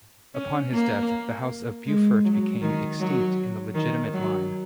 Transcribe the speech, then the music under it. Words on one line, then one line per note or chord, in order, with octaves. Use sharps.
Upon his death the house of Beaufort became extinct in the legitimate line.
C#4
A#3
G#3
F#3
D#3
F#3
D#3
F#3